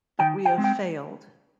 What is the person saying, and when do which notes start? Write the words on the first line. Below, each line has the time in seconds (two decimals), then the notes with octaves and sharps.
But we have failed.
0.19 D#3 G5
0.45 G5
0.58 G#3 C4
0.64 G5